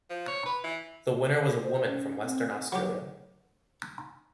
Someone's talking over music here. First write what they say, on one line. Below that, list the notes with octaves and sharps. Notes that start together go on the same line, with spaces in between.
The winner was a woman from Western Australia.
F3
C#5
B4
E3
C5
C#4
C4
F#3 G4